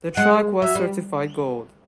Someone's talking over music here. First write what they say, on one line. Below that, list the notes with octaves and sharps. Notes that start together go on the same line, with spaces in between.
The track was certified gold.
G#3 F#5
F#3 E5
G3